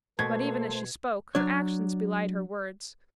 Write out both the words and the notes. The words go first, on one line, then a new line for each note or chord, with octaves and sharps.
But, even as she spoke, her actions belied her words.
B2 A3 A#3 A4 C5 G#6
F#3 D4 C#5